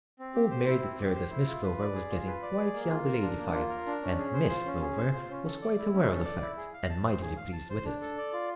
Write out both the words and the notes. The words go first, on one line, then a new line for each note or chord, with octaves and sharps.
Old Mary declared that Miss Clover was getting quite young-ladyfied, and "Miss Clover" was quite aware of the fact, and mightily pleased with it.
C4
G4
C5
E4
C4
G4
C5
E4
F4
B4
D5
G#4
F4
B4
D5
G#4
A#3
F4
A#4
D4
A#3
F4
A#4
D4
C#4
G#4
C5
F4
C#4
G#4
C5
F4
C#4
A4
D5
E4
C#4
A4
D5
E4
G#4
F5
A5
C5
G#4
F5
A5
C5
D4
A4
D5
F4